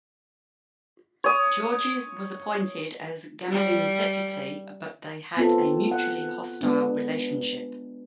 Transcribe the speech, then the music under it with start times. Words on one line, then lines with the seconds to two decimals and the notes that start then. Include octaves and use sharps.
Georges was appointed as Gamelin's deputy but they had a mutually hostile relationship.
1.24 C#5 D#6
3.51 G3
5.37 B3 C4 F4 A4
5.92 F#5
6.61 G#3 B3 D4